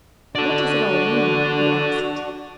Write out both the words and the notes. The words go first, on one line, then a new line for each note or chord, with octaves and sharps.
"What does it all mean?" he asked.
D4 F#4 A4 D5